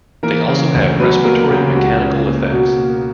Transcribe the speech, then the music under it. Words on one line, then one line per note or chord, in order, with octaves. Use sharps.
They also have respiratory mechanical effects.
E3 A#3 A#4
C#3
D2
F#3 B3 B4
F#3 A#3 A#4
C#3 G4
C#2 F#4
C#3
A#3
B2
A#3